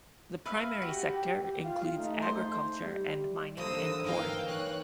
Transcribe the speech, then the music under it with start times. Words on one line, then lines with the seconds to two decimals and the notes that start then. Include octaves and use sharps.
The primary sector includes agriculture and mining and quarrying.
0.45 B4 E5 F5
0.82 F#4 G4
1.64 F4 F5
1.94 A3 D#4
2.22 C5
2.82 G3
3.57 D3 E3 A#3 C5 D#6 E6
4.04 E3 A#3 D#4 A#4 F5 G5
4.46 C#5 F#6